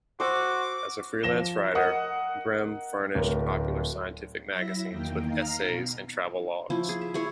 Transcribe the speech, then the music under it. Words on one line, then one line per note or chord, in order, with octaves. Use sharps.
As a freelance writer, Brehm furnished popular-scientific magazines with essays and travelogues.
F#4 C5 D6 E6
F3 A#6 E7 G7
A#4 D#5 F#5 D#6
D1 A#4
F#3 E4 E5 A#6
E2 D#3 A#3 G5
D#4 F5 A#5 C7
B2
F3 C#4 E4
G#4
E5
E4 G#4 C#5